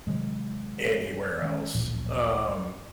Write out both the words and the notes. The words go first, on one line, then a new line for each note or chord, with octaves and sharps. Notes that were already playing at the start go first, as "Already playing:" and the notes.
anywhere else. Um.
C3 D#3 F#3 G#3
D#3 G#3 C#4
D1 A1 A#2 F3